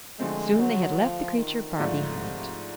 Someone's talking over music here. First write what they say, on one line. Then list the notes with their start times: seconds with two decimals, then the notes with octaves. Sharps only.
Soon they had left the creature far behind.
0.19 D3 F3 G#3 A3 C4
0.60 F#3
0.99 F3
1.38 D#3
1.77 G#2 D3 F3 A3 D4 F4
2.16 C3